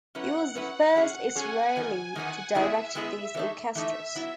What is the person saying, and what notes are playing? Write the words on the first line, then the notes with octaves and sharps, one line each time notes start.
He was the first Israeli to direct these orchestras.
F#3 C#4 E4 B4 F#5
F#3 C#4 E4 B4 F#5
F#3 C#4 G#4 C#5
F#3 C#4 G#4 C#5 G#5
E2 D#3 F#3 B3 D#4
E2 D#3 F#3 B3 D#4 F#5
G#3 B3 E4 G#4 D#5 E5
G#3 B3 E4 G#4 D#5
E3 A3 D#4
E3 A3 D#4 E5
F#3 B3 E4